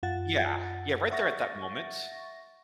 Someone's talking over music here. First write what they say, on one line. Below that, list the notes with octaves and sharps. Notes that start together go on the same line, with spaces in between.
Yeah. Yeah, right there at that moment,
F#2 F4 F#5 A6
E5 F#5 C#6 A6 A#6